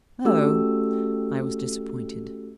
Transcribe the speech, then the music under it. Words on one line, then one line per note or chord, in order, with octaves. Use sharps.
"Oh!" I was disappointed.
A3 C#4 F#4 G4 A4 E6